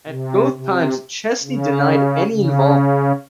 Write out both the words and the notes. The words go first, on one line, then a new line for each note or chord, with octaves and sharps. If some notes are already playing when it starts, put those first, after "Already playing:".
At both times, Chesney denied any involvement.
C3
C3
C#3
C#3